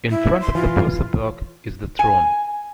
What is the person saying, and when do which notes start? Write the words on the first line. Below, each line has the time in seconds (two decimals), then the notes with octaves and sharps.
In front of the bossabok is the throne.
0.10 E4
0.41 C6
0.55 E3 F4
1.99 G#5